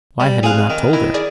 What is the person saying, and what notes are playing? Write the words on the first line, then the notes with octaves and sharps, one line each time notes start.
Why had he not told her?
G3
C4 G#4 F5 F#6
D#3
D#3 E4
G#4 D5